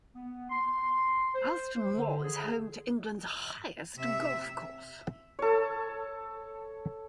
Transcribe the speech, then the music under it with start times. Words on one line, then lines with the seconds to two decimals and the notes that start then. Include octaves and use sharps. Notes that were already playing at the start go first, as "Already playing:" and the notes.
Alston Moor is home to England's highest golf course.
0.14 B3
0.50 C6
1.34 C5
1.95 D3
2.24 G#4
3.96 C3 E5
5.39 A4 C#5